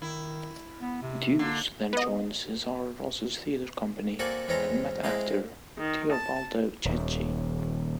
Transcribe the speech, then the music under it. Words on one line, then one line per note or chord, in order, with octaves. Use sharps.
Duse then joined Cesare Rossi's theater company, and met actor Teobaldo Checchi.
D#3 E4
B3
C3
D3 A#3
B3 D#5
A#3 C4 F#4 A4 D5 G#5
E2 G#3 C4 C#4 A4 A#5
G#3 C4 E4 D#5 F5
D#3
A5
D#1 D#2